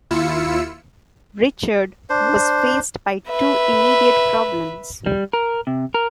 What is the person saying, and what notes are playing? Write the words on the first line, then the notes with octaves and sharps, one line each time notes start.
Richard was faced by two immediate problems.
D#2 E4 F4 E6 C#7
D4 C5
B4 E5
G3
A#4
C3
A#4